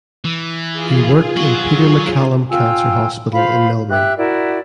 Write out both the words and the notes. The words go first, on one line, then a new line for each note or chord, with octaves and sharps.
He worked in Peter Maccallum Cancer Hospital in Melbourne.
E3
F4 G#4
F#3 F#4
F4 G5 G#5 E6
F4 C5 F5 B5
G4 E5 F#6
E4 F#4 A#4 D5